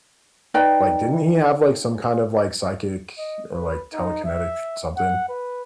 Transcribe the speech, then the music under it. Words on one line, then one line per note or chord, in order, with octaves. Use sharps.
Like, didn't he have like some kind of like psychic or like telekinetic something?
D#4 B4 D5 G5
D#5
B4
D#4
E5
F#5
B4